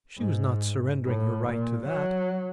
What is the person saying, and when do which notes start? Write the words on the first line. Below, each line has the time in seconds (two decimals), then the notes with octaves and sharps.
She was not surrendering her right to that.
0.18 G#2
1.06 A2
1.46 A#2
1.87 F#3